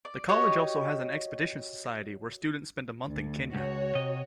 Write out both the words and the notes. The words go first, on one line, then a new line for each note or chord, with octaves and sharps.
The college also has an expedition society, where students spend a month in Kenya.
D5
F#4 G4 C#5 D#5
D2
C#2 F#4 C#5
C3 D#5